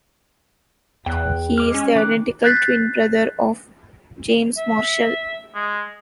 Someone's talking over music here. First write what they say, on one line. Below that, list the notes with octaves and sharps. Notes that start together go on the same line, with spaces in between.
He is the identical twin brother of James Marshall.
E2 G5 F#6
G#3 D6 F6
C#4
D#3 D6 F#6
F#6 G6 A6 B6 C7
E5
G#3